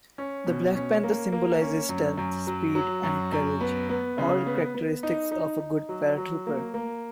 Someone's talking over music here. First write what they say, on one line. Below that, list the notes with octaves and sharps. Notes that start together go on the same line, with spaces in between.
The black panther symbolizes stealth, speed and courage, all characteristics of a good Paratrooper.
C#4
B2
C#4
A#3
A#3
C#4
F#2
F#2
F#3
F#3
F#2
F#2
B3
B3
C#3
B3
B3
D#4
D#4
D#4
F#3
F#3
A#3
A#3